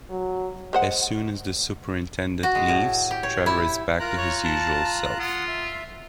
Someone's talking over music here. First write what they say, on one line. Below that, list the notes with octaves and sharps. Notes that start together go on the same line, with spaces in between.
As soon as the superintendent leaves, Trevor is back to his usual self.
F#3
G#3 C5 F#5
F#4
G#3
A2
G4
C#5
E4
F4 A#4 A#5 F#6
C#5
A5
F4 F#5 D#6
E5